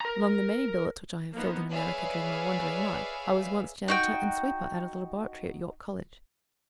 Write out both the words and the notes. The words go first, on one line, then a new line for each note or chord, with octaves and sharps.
Among the many billets which I have filled in America during my wandering life, I was once janitor and sweeper out of the laboratory at York College.
A#4 A#5
F3 A#3 B3 D#4
G#4 B4 C#5 D5 E5 F5
D#4 F#4 G5